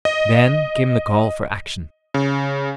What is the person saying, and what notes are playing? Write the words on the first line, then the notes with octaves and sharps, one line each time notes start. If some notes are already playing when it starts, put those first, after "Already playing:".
Then came the call for action.
D#5
C#3